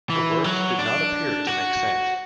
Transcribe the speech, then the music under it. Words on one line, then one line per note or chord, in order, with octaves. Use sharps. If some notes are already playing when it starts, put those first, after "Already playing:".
Her words did not appear to make sense.
E3
F#3
D4
F#4